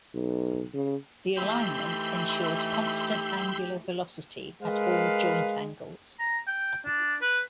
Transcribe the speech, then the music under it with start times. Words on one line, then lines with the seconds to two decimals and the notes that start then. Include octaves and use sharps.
The alignment ensures constant angular velocity at all joint angles.
0.14 B1
0.74 C#3
1.37 E3 A3 D#4 G4 B5 C6 E6
4.62 G#3 A#4 B4 F5
6.19 A#5
6.47 G5
6.86 D4
7.21 B4